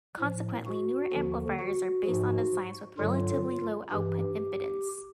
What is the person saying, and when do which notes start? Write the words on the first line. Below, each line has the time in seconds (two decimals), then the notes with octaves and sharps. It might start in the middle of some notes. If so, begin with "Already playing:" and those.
Consequently, newer amplifiers are based on designs with relatively low output impedance.
0.20 A2 F3
0.66 F#4
1.12 D#2 D3 F3
1.59 F#4
2.05 G#2 F3
2.98 G2 D3 F#3 F4
3.91 G2 E3 G4